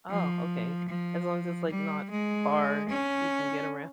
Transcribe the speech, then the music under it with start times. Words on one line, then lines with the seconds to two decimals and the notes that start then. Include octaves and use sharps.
Oh, okay. As long as it's like not car, you can get around.
0.10 F3
0.89 F3
1.70 G3
2.10 G#3
2.90 C#4